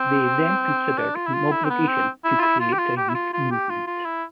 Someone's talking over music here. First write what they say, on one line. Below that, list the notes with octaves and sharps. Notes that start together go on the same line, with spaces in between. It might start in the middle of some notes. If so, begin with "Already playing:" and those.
They then considered an obligation to create a youth movement.
Already playing: C4
D4
F4
E4
F4
E4
C4
B3
C4
E4
F4
E4
F4
G4
F4
G4
E4
F4
F4
G4
F4
F4
E4